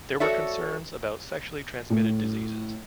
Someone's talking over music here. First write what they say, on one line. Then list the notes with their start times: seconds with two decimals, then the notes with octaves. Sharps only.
There were concerns about sexually transmitted diseases.
0.20 F#4 A4 C#5 D5 E5
1.90 A2